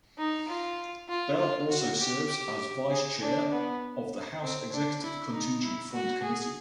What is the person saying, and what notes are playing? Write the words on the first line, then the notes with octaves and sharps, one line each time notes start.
Bell also serves as vice chair of the House Executive Contingent Fund Committee.
D#4
F4
F4
F4
F#4
G4
G4
G#4
D4
B3
C4
D4
E4
D#4
E4
F#4
G#4